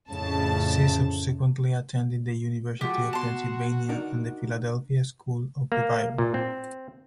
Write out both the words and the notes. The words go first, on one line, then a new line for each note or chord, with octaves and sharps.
She subsequently attended the University of Pennsylvania and the Philadelphia School of the Bible.
F2 A2 C#3 A5
F3 G#3 F#4 G4
B2 A5 C6
D4 D#4 A#4
A#3
A#2
C4